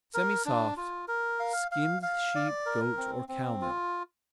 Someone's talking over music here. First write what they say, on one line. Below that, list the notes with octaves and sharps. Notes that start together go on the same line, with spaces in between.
Semisoft; skimmed sheep, goat or cow milk.
A#4
D4
F4
A#4
F5
F5
F5
D5
A#4
C4
C4
F4